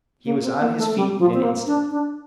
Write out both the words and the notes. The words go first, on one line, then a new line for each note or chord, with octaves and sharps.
He was on his feet in an instant.
A#3
C4
A#3
A3
G3
F3
C4
A#3
D4
D4